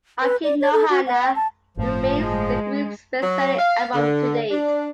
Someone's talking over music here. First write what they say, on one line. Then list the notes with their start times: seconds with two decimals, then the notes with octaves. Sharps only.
"Aku no Hana" remains the group's best-selling album to date.
0.22 B4
0.44 D5
0.61 C#5
0.73 A4
0.90 F#4
1.07 F#5
1.23 G5
1.36 A5
1.77 G1 A2 F3 A3
2.21 G#3
3.23 F#3
3.59 F5
3.95 D3
4.51 D4